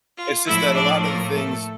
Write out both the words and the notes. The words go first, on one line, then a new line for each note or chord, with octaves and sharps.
It's just that a lotta the things
F4
A2 F3 A3 E4 E5
D4 D5
A#3 A#4
A3 A4